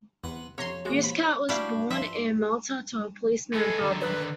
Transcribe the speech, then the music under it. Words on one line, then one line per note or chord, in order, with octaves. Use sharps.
Muscat was born in Malta to a policeman father.
E2 C3 B4 F#5
F2 C3 C#4 C#5 A#5 C6
A#2 E3 G#3 F#4 D6
C2 C3 B5
G3 D4 E4 F#4 C#5 F5 B5
F3 B4 E5 C6
G#3 B3 A4
D3 D#3
B4